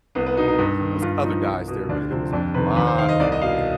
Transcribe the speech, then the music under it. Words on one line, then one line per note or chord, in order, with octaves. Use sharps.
it was other guys there, but it was a lot of women there,
C2 B3
B3
B2 D#4
D#4
G2
D#3
G2 F4
F3 D#4
C2
B2
D2 D4
C3 F3 C4
F2 D4
C3 D#3 B4
D#2 B4
C5
D#3 F5
D#5
C2 D5
D#5
B2 F5